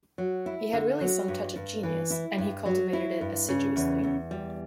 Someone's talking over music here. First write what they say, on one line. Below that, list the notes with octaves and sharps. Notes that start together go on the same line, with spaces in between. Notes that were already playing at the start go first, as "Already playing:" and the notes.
He had really some touch of genius, and he cultivated it assiduously.
F#3
E4
D3
F#3
G2
G2
E3
E4
G2
F#3
E4
G2
C#3
E2
E2
G3